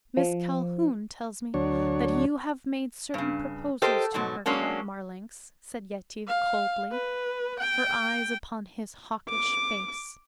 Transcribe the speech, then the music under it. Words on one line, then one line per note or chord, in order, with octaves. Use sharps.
"Miss Calhoun tells me that you have made certain proposals to her, Count Marlanx," said Yetive coldly, her eyes upon his hawkish face.
F3
D2 F#3 D4 C#5
G2 C#3
G4 A4 A#4 C5 D#5
G#2 B2 F#3
F#3 G#3 A#3 C#4 D4
F5
B4
G5
D6